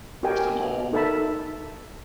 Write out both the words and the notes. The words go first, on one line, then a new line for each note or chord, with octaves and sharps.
Like, some old
F#4 G4 A#4 D#5 G5 G#5
D#4 A4 A#4 E5 A5 B5